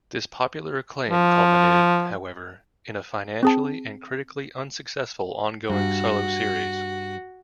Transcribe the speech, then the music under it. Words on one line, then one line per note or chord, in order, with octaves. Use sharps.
This popular acclaim culminated, however, in a financially and critically unsuccessful ongoing solo series.
F3
C4 G#4 A5
G2 F#4